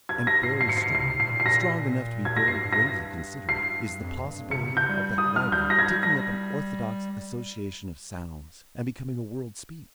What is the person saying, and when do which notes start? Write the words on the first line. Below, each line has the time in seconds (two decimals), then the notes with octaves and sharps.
And very strong--strong enough to be very gravely considered--is the possibility of that writing taking up an orthodox association of sounds, and becoming a world speech.
0.09 G#6
0.27 A#6
0.43 G#2 C7
0.54 A#2
0.61 C7
0.66 G#2 C#7
0.77 C7
0.89 C#3
0.95 C3 C7
1.12 G#2
1.20 A#2 C7
1.40 C7
1.46 A#6
2.25 G#6
2.37 A#6
2.48 G2 C7
2.56 G#2
2.66 G2
2.73 A#6
3.49 C7
4.00 F2
4.25 G2
4.50 C3 C#7
4.64 C#3
4.77 G6
4.89 G3
5.18 D#6
5.36 F6
5.52 G3 G6
5.70 A#6
5.79 G#6
6.03 A#6